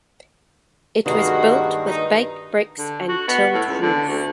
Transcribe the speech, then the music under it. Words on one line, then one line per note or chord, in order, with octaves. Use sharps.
It was built with baked bricks and tilled roof.
G2 D#3 G#3 A#3 F#4
D#4
D3
F#4
B3
A2
C#2
D3
D2